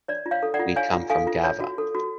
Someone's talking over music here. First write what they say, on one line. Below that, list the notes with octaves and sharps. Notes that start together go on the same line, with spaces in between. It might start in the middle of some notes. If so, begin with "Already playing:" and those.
We come from Gavà.
C#5 D5
F4
C#5 F5
A4
D5 F#5
F4
C#5 F5 G#5
F4
A4 F5 G#5
F4
C#5
F#4
A4
F#4